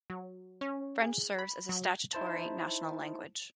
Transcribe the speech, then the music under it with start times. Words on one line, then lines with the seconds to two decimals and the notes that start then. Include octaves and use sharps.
French serves as a statutory national language.
0.10 F#3
0.61 C#4
1.02 G#4
1.39 B5
1.69 F#3
2.13 D#4 E4 C5 A5